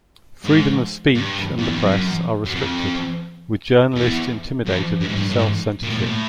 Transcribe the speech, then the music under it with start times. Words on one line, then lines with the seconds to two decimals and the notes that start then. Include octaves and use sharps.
Freedom of speech and the press are restricted, with journalists intimidated into self-censorship.
0.45 G#2
1.15 G2
1.58 E2
1.71 F2
1.85 F#2
2.45 F#2
2.55 F2
3.95 E2
4.66 F2
5.00 G2
5.08 G#2
5.15 G2
5.30 A2
5.36 G#2
5.83 A#2
5.90 A2
5.98 A#2
6.06 A2